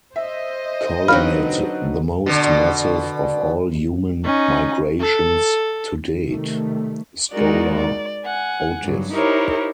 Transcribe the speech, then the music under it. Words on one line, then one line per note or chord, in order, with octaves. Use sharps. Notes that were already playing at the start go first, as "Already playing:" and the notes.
Calling it the "most massive of all human migrations to date," scholar Otis.
C5 D#5 E5
D3 F#3 C4 D#4 B4 F5 B5 F6
B2 D3
C#4 D#4
A4
C3 D#3 G3 A3
G#3 D#4 F#4 A#4 D5
D5
F#5 G#5
G2 F#3
D#4 E4 G4 A#4 C5 C#5